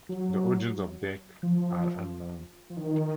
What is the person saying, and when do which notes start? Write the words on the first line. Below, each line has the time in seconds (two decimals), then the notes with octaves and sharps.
The origins of deq are unknown.
0.09 F#3
1.43 F3
2.70 F3
2.77 D#3